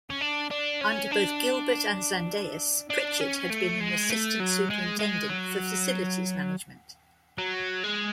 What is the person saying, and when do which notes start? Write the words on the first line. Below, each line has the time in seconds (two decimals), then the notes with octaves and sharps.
Under both Gilbert and Zendejas, Pritchett had been an assistant superintendent for facilities management.
0.10 C#4
0.21 D4
0.51 D4
0.81 C#4
1.11 D4
2.90 D4
3.21 C#4
3.50 A3
3.80 G#3
4.10 A3
4.40 F#3
4.70 G#3
4.99 G#3
5.29 F#3
7.38 F#3
7.84 G#3